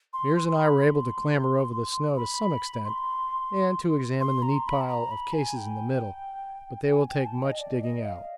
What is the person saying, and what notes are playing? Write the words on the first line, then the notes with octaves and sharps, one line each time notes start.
Meares and I were able to clamber over the snow to some extent and to examine the neat pile of cases in the middle, but they will take much digging out.
C6
C6
C6
B5
C6
B5
C6
C6
A#5
B5
A5
A#5
B5
G#5
G5
G#5
G5
A5
D#5
D5
D#5
F5